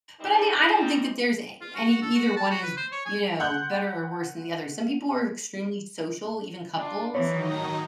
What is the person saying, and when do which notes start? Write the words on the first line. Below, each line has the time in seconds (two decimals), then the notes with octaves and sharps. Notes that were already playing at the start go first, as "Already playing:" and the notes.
But, I mean, I don't think that there's a any either one is, you know, better or worse than the other. Some people are extremely social, even couples,
0.21 F#2 G3 C4 D#4
1.61 F4
1.75 F#4
1.90 F#4
2.02 A4
2.15 F#4
2.36 A5
2.50 F#4
2.63 B4
2.77 C5
2.92 C#5
3.05 G#5
3.40 F#5 C6 F#6 G6
6.79 D4 F4
7.15 D#3 E3 F#3 D#4 C#5
7.50 A2 A#5